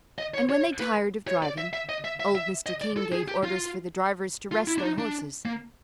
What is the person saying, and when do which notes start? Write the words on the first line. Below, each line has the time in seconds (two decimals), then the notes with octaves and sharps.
And when they tired of driving, old Mr. King gave orders for the drivers to rest their horses.
0.18 D#5
0.34 C#5
0.50 C#5
0.80 B4
1.28 C#5
1.43 D5
1.58 E5
1.73 E5
1.89 D#5
2.04 E5
2.20 E5
2.35 E5
2.66 D#5
2.82 D5
2.97 A4
3.13 G#4
3.28 G4
3.44 F4
4.52 F4
4.68 E4
4.78 D4
4.83 D#4
4.99 D4
5.45 A#3